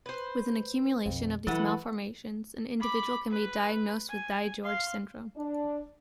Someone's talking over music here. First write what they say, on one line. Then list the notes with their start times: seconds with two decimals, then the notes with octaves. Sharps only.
With an accumulation of these malformations, an individual can be diagnosed with DiGeorge syndrome.
0.06 B4 C5
1.06 B1 F2
1.47 E3 F#3 E4 A4 B4 F#5
2.80 B5 D6
3.31 B4
4.09 G#5
4.64 F5 C6
5.36 D4